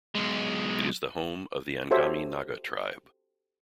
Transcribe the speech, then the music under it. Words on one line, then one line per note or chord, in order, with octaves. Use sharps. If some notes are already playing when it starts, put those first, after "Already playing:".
It is the home of the Angami Naga tribe.
B1 G#3
F#4 G4 A4 C5 C#5 E5